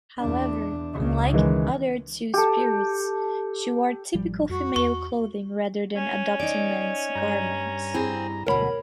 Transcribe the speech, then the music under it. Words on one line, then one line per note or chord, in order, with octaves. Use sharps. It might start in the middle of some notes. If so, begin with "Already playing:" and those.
However, unlike other Two-Spirits, she wore typical female clothing rather than adopting men's garments.
E2 D4
C#2 C#3
D#3 E3 G#3
G4 A4
A1 F3 G3
F2 F#4
E2 C#6
C#4
D#4 D5
G2 A#5
C4 E4 G#4
D2 B2 A#4 C#5 B5